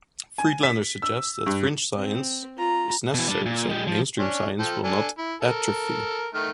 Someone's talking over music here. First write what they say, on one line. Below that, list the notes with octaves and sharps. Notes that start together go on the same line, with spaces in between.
Friedlander suggests that fringe science is necessary so that mainstream science will not atrophy.
G#5
B6
E6
G2
C4
F4 A#5
B2 E3
G3 D4
A#2
G#3 G4
F3
C#4 D4
F3 A4 G5
D4 A4 G#5
E4
A4 A#4
D#3 A3 F6